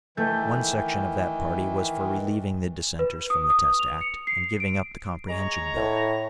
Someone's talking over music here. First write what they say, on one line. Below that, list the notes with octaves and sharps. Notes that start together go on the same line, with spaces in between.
One section of that party was for relieving the dissenters from the Test Act, and giving up the Comprehension Bill.
D#3 E3 A3 G6
B4
D#6
D#6
F7
C#7
C7
D7
G#3 C#5 A#5
A2